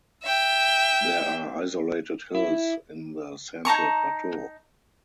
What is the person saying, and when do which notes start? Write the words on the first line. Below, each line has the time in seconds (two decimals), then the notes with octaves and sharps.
There are isolated hills in the central plateau.
0.24 E5 G5
2.35 E4
3.65 D#4 A5 A#5 C#6